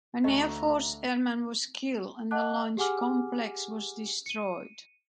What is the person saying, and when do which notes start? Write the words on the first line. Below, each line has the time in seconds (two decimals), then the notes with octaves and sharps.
An Air Force airman was killed and the launch complex was destroyed.
0.24 D2 D3 A3 F#4 D#5 A#5
2.31 D#5 F#5 A5 D6 F#6
2.77 G4 G#4 F#5 G#5 D6 F6
4.26 C#7 D#7